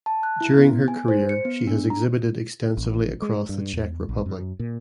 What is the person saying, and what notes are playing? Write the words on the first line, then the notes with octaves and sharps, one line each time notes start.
During her career she has exhibited extensively across the Czech Republic.
A5
F#6
E4
B3
G#5
C5
C#7
B3
D4
A#5
A1
G#3
G2
E2
A#1
F#2
A#2